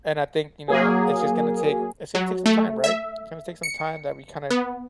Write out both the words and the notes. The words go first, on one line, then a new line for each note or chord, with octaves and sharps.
and I think, you know, it's just gonna take it's gonna take some time, right? It's gonna take some time that we kinda
F#3 A#3 G#4
F#3
A3
E5
C#7
B3